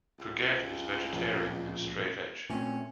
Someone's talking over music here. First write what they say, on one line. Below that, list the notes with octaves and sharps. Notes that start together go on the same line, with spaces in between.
Puget is vegetarian and straight edge.
C#2
D1 A#2 F3
A#2 A3 C4 C#4